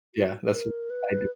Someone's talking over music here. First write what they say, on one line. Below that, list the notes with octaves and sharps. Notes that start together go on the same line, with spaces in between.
Yeah, that's what I do.
F#4
A#4
B4